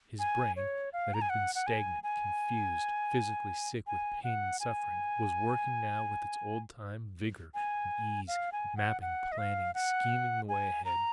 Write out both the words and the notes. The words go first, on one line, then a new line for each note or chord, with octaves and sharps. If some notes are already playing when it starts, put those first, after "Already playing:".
His brain, that had been stagnant, confused, physically sick with pain and suffering, was working now with its old-time vigour and ease, mapping, planning, scheming the way ahead.
G#5
C#5
F5
A#5
G#5
F#5
F#5
G#5
G#5
G#5
F#5
G#5
G#5
F5
G#5
F#5
F#5
D#5
F5
F#5
G#5
A#5